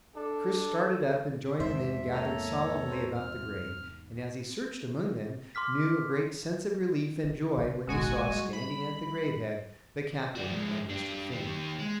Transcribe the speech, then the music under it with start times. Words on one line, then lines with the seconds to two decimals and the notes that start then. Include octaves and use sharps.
Chris started up and joined the men gathered solemnly about the grave, and as he searched among them, knew a great sense of relief and joy when he saw, standing at the grave head, the Captain and Mr. Finney.
0.16 D4 A4
1.60 E2 G#2 C3 C5 E5 C6
2.13 A#3 A4 C#5 A#5
2.89 C4 C5
3.14 F6
5.55 C6 D6 F6 B6
7.24 F4
7.56 C#3 D4
7.87 E1 A1 G#3 F#4 G#5
8.30 G3
8.53 B5
10.36 F#4 D5
10.50 F3 G#3
10.90 D4 G4
11.32 D#3 G4
11.79 G#3